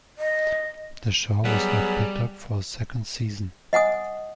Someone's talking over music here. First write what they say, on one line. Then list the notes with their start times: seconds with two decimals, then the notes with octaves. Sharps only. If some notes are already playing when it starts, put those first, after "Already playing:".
The show was not picked up for a second season.
0.18 D#5
1.45 F#3 G3 B3 G#4
3.73 D#5 F#5 G#5 D#6